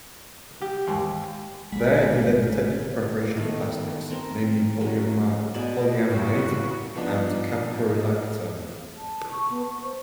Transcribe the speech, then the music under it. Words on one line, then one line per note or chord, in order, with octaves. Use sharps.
There he led the technical preparation of plastics, namely polyamide and caprolactam.
G4
D#2 G#2
G#1 G#3 B6
D#3 A3 B3
C4 A#4
F#3 C#4
B2 G#4 D5 B5
E2 A2 C#3 F#3 G3 F#4
F3 B3 D4 D#4
A5
C#6
B3
C#6
C5